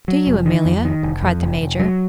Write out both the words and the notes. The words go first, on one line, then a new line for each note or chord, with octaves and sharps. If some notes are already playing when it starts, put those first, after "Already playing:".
"Do you, Amelia?" cried the Major.
F#3
F1
D#3
F2
D#3
F1
F2
F1
F1
F#3